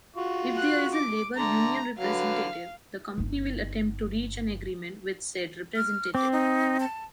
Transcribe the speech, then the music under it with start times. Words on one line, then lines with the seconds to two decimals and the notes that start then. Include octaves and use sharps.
If there is a labor union representative, the company will attempt to reach an agreement with said representative.
0.16 F4 F#4 C#6
0.57 F#6
0.93 D6
1.37 D3 A3 A#5
1.98 D3 F#3 B4 F5
3.18 G1 D#4
5.76 F6
6.15 C4 D6
6.33 D#4
6.80 A5